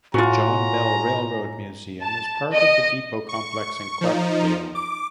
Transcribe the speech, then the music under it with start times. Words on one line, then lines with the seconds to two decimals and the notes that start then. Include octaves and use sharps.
The John Bell Railroad Museum is part of the depot complex in Clarkdale.
0.14 A2 F4 F#4 G#5 A#5
2.02 A5
2.51 D#5
3.29 C#6
4.01 F3 D#4
4.75 D6